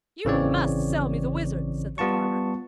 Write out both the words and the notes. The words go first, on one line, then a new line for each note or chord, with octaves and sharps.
'You MUST sell me the wizard,' said the farmer.
A1 C#3 E3 C4 C#5 D5
G3 B3 F4 A5 C#6